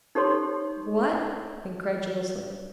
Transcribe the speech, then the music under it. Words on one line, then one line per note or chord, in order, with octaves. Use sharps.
"What!" incredulously.
D#4 G4 A4 C#5 C6